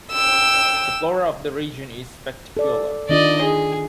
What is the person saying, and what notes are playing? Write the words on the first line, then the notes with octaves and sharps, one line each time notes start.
The flora of the region is spectacular.
G5 E6
A4 D5
D#3 D4 F4 D5 D#5
G#4